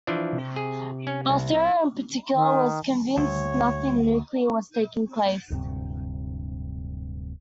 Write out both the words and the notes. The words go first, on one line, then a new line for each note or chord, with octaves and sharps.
Balseiro, in particular, was convinced nothing nuclear was taking place.
E3 F3 D4
C3
G#4
C#4
C2
E4
D#3
D2 C#5
D1 D2 G2 C3